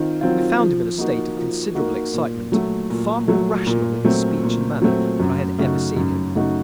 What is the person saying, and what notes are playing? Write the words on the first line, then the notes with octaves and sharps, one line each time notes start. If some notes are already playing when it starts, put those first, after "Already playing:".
We found him in a state of considerable excitement, but far more rational in his speech and manner than I had ever seen him.
Already playing: D#3 C4 F4
F#3 C4 F4
F3
A#3 D#4 F#4
F3
A#3 D#4 F#4
A#2
F#3 A3
A#2
F#3 A3
A#2
F#3 A3 C4
A#2
F#3 A3 C4
F#2
C#3 A3 D#4 F#4
F#2
C#3 A3 D#4 F#4